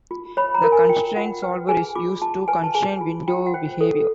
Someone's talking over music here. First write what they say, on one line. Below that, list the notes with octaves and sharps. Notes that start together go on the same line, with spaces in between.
The constraint solver is used to constrain window behavior.
F4
C#5 B5
A#5
A#4
G#5
F4 G5
F4 F#5
B4 G5
G#4 G#5
F4 D6
F4 A5
B4 G#5
A5
G#4 G#5
F4
F4 G5
F#5
C5 G5
A4